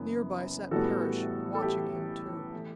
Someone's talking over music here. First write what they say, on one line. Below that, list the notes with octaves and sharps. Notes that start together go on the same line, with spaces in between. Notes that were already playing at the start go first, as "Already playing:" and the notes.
Near by sat Parrish, watching him too.
Already playing: F#1 F#2 E3 B3
A1 A2 E3 G3 B3 F#4 A4
A4
E4 G4
E3 A3